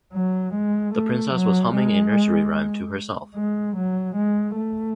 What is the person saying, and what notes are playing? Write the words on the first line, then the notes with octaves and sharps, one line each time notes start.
The Princess was humming a nursery rhyme to herself.
F#3
G#3
A3
F#3
G#3
G#3
F#3
G#3
A3